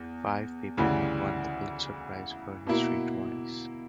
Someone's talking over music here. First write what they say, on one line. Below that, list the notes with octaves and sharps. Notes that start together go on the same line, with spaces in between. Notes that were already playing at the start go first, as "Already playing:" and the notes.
Five people have won the Pulitzer Prize for History twice.
Already playing: E2
D2 C#3 E3 G3
B2 A#3 E4